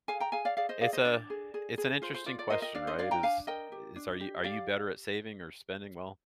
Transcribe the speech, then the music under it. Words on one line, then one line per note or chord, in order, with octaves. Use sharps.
It's a it's an interesting question, right? Is is, are you are you better at saving or spending well?
G#4 F5 G#5
G5 A#5
G#4 F5 G#5
D5 F5
G#4 D5 F5
C5 D#5
G#4 D5 F5
C5 D#5
D4 D5
G#4
G#4
G#4
F4 C5
C5
F4 D5
D5
A#4 C5 D#5
D#5 G5
D4 D5 F5
C5 D#5
D4 D5 F5
G5 A#5
D4 F5 G#5
A#4 D#5 G5
G4
D4
G4
G4 D5 F5